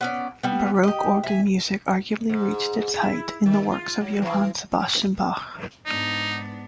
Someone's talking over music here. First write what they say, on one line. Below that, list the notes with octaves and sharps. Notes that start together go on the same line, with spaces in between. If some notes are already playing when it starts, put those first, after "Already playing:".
Baroque organ music arguably reached its height in the works of Johann Sebastian Bach.
B3 C#4 D5
G3 B3
G4 D#5
E5 G#5
G#2
E4
D#3
F4
F#3
E3
G#2 B3 D4 D#4